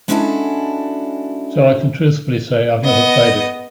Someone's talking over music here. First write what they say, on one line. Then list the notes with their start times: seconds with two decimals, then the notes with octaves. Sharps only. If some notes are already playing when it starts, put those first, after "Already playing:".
So I can truthfully say I've never played it!
0.08 G#3 C#4 D4 E4 F#4 A4
2.84 B3 D#5